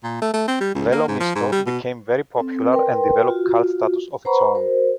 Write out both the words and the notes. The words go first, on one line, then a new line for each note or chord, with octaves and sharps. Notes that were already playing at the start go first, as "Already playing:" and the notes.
"Velo misto" became very popular and developed cult status of its own.
A#2
A3
A3
C4
G3
C#2
A#3
G#2
F3
G#2
G3
B2
C4 A4
A#4 B4 G5 C6
F4 F#4
B4 C5 F#5 A#5 B5 C#6
F#4 A#4 C5